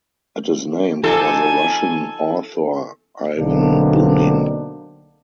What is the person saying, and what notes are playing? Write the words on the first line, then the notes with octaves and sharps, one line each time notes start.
It is named for the Russian author Ivan Bunin.
F3 D#4 A4 G#5 D6
B1 D3 A#3 C4 D4 D#4